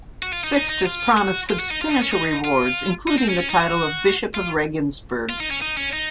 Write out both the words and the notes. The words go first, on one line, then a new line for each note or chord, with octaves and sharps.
Sixtus promised substantial rewards, including the title of bishop of Regensburg.
F#4
F4
D#4
D#4
D#4
F4
F#4
F4
F#4
D#4
F4
D#4
C#4
D#4
F4
D#4
C4
C#4
C#4
D#4
F#4
F4
F4
D#4
C#4
D#4
C#4
D#4